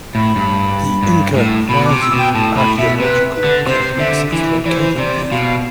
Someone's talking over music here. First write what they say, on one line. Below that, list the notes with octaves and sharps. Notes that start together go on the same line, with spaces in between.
The Incahuasi Archeological complex is located there.
A2 B5
G2
G2
A2
B2 B5
D6
C3
E6
B2
G5
A2 A5
A2 B5
B2 E5
C3 B4
B4
D3
C3 C5
D3 E5
E3
E3 C5 D5
C3 D5
B2 F5